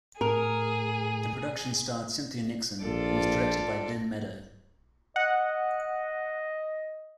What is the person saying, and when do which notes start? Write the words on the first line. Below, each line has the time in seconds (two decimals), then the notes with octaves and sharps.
The production starred Cynthia Nixon and was directed by Lynne Meadow.
0.21 A2 G#4 A#4
2.83 A#1 F4 A4 D5
5.16 D#5 F#5